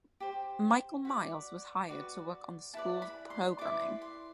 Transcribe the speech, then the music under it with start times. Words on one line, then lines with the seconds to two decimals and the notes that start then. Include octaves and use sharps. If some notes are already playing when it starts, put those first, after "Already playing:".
Michael Miles was hired to work on the school's programming.
0.20 G4 C5
1.05 F#4 B4 D5 B5
1.89 F#4 B4 D5
2.74 E4 B4 D5 A5
3.02 B5
3.30 C6
3.58 E4 B4 D5 D6
3.80 C6
4.02 C6